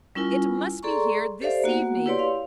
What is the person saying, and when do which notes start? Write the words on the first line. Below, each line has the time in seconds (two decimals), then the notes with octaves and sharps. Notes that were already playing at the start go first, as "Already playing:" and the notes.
It must be here this evening!
0.15 G3 C#4 E4 F4 A#4 G#5
0.83 G#4 A4 D5 A#5 C6 C#6
1.41 G4 A4 C5 D5 E5 F5
1.64 A#3 B3 F#4 F#5
2.06 E4 G4 B4 C#5 D5 C6
2.19 F5